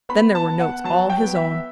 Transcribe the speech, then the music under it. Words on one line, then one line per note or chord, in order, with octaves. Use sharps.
Then there were notes all his own.
B3 B5
A5
B3
F#5
F#3 A5
G5
B3
E5